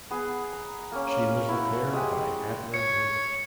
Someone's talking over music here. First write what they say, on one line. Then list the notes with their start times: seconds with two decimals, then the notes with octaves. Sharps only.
She was repaired by Adler Werft.
0.11 B3 G#4
0.53 A#5
0.92 A#3 C#4
1.48 E4 F#4
1.93 G#3 G4
2.74 C#5 C#7